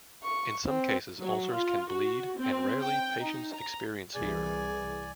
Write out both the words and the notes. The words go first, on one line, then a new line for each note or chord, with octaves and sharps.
In some cases, ulcers can bleed and, rarely, patients experience fever.
C#6
C4
F#3
F4
F#4
C4
G5
D#4
A#5
C2 E3 G#4 D5 G#5